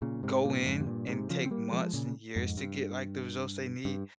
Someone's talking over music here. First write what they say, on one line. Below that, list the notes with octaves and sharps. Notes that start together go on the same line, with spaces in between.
go in and take months and years to get, like, the results they need.
A#2 C#3
G#2 C3
G2 A#2
F2 G#2
C3
G2 A#2
G#2 C3
C#3 F3
C4
G3 A#3
F3 G#3
A#2 C#3
F2 G#2
G2
G2